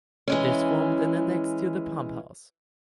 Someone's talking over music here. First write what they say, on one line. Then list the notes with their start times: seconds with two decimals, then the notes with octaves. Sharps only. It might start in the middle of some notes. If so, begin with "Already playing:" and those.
This formed an annexe to the pump house.
0.28 E3 G#3 C#4